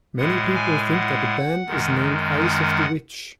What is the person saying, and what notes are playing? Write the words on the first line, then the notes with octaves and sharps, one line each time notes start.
Many people think that the band is named Eyes of the Witch.
A2 G#3 F#5
G#5
F#5
F#2 D#3 G#3
F#5